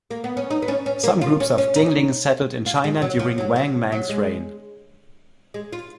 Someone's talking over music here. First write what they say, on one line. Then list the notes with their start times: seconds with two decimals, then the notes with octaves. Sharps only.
Some groups of Dingling settled in China during Wang Mang's reign.
0.10 A#3
0.24 B3
0.37 C#4
0.50 D#4
0.62 B3
0.68 C#4
0.86 C#4
1.04 A#3
1.21 F4
1.40 C#4
1.58 C#4
1.76 D#4
2.66 F4
2.84 G#3
3.02 F#3
3.19 F3
3.38 F#3
3.56 F#3
3.92 F#3
4.09 G#3
5.54 G#3
5.73 F4